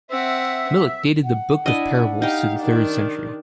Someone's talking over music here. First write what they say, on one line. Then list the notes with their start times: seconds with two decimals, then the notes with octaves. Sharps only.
Milik dated the Book of Parables to the third century.
0.10 C4 E5 F#5
1.24 F#5
1.66 D4 E4 D#5
2.22 D#4 G4 F5
2.60 D#3 D4